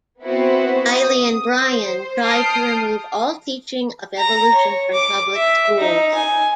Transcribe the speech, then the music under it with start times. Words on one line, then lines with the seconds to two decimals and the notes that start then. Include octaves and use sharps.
Riley and Bryan tried to remove all teaching of evolution from public schools.
0.22 B3 C4 E4 F#4 B4 C5
0.90 D#6
1.58 C5
2.23 A5 D#6 F6 G6 C7 D7
4.18 A#5
4.54 C#5
4.93 D6
5.35 E5
5.79 D#4
6.15 G#5